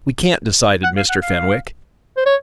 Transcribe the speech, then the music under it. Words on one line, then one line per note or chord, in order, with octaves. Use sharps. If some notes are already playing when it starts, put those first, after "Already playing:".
"We can't," decided Mr. Fenwick.
F#5
F5
F#5
F5
C5
C#5